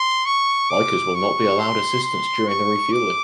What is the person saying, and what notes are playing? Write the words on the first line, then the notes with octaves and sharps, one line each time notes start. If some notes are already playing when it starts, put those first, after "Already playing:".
Bikers will not be allowed assistance during the refueling.
Already playing: C6
C#6
D6
C#6
C6
C6
C#6
D6